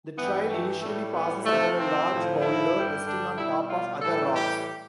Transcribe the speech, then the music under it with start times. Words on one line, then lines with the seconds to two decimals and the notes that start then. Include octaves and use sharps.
The trail initially passes under a large boulder resting on top of other rocks.
0.17 G2 E3 G3 B3
0.49 A3
0.81 A2 G3 A3
1.13 B3
1.45 C3 F3 A3
1.77 C4
2.10 A2 F3
2.41 E4
2.74 G2 D3 G3
3.06 D4
3.38 B2 G3 E4
3.70 F4
4.02 A2 E3 G3 A4
4.35 G4